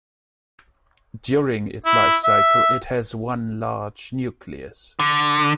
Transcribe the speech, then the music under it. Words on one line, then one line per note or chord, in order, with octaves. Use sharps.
During its life cycle it has one large nucleus.
E4
E5
D3